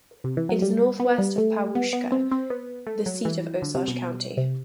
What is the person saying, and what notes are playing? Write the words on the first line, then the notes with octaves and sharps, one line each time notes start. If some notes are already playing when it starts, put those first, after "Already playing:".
It is northwest of Pawhuska, the seat of Osage County.
C3
E3
F#3
G3
B3
G3
A3
B3
B3
C4
C4
B3
A3
F#3
E3
D3
C3
B2
C3